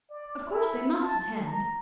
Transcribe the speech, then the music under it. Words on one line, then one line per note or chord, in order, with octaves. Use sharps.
Of course they must attend.
D5
E4
A5
A#5